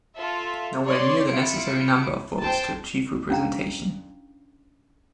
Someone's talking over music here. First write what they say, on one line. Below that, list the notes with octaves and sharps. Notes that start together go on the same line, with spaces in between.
Nowhere near the necessary number of votes to achieve representation.
F4 A4 E5
C#5 D5 C6
E4 F4 C#7 D7
C5 G5 A5
C#4 D4 E4 F5 G5 A#5